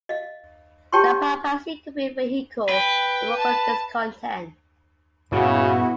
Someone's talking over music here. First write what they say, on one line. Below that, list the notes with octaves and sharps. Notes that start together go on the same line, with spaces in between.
The Papacy could be a vehicle for local discontent.
D#5 F5
G4 C#5 G5 A5 C6 C#6
B4 G5
A5
G2 A#2 C#3 B3 E4 F#4